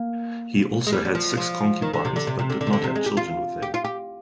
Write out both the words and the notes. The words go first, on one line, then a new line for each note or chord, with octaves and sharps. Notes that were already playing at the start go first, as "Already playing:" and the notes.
He also had six concubines but did not have children with them.
Already playing: A#3
G#3
G3
G3
F3
F3
D#3
D3
C3
D3
C3
C3
D3
D3
C3
D3
C3
G#3
G4
F4
G4
F4
G4